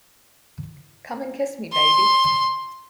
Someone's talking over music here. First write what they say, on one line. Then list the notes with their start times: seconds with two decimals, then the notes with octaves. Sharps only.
Come and kiss me, baby.
1.72 C6